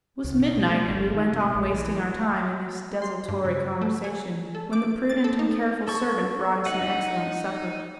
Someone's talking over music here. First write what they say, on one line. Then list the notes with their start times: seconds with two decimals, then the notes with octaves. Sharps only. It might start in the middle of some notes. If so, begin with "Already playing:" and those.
It was midnight, and we went on wasting our time in this desultory conversation, when the prudent and careful servant brought us an excellent supper.
0.24 C#2
0.40 B2
0.70 A3
0.91 G1
1.14 D#3
1.33 C3
1.55 A#1
1.74 E3
3.02 C6
3.28 G2
3.45 C#3
3.81 A3
4.04 G#5
4.55 A4
4.73 D6
5.09 A6
5.24 A4
5.39 D#4
5.88 A4 C#6
6.66 D#4 F#5